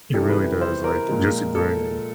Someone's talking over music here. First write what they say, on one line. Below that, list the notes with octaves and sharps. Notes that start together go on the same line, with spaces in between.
It really does, like, just grinding.
C3 E3 G3 A4
B4
C5
A#4
A#2 F3 G#3
A4